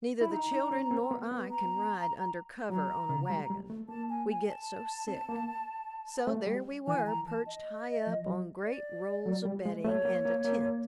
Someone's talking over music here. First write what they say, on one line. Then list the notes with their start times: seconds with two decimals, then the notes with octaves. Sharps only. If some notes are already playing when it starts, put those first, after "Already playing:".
Neither the children nor I can ride under cover on a wagon, we get so sick; so there we were, perched high up on great rolls of bedding and a tent.
0.21 E4 B5
0.31 D#4 A#5
0.52 D#4
0.71 C#4
0.91 C4
1.11 B3
1.31 B3
1.51 A#5
2.70 F#3 A#5
3.09 C#3
3.30 G3
3.50 G3
3.70 A3
3.89 A#3 A5
4.10 G#5
4.29 G#5
4.49 A5
5.08 C4
5.29 A#3
6.27 A3
6.47 G3
6.87 E3 G#5
7.07 A#5
7.27 A5
7.47 D#5
8.07 F3
8.26 F#3
8.66 D5
9.26 F#3
9.45 G3
9.66 G#3
9.85 A3 C#5
10.05 A#3
10.25 A#3
10.45 A#3